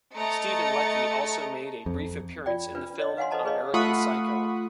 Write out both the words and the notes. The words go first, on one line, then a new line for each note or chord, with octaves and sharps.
Steven Leckie also made a brief appearance in the film, "American Psycho".
A3 D#5 A#5 A6 C#7
F2
F4 D5 G5
D4 F4 B4
C#5 D#5
B4 F5 F#5 G#5 C6
A4 B4 C5 D#5 A5 A#5
G#4 B4 C#5 D#5 F5
A3 F4 F#5 B5 C#6 D#6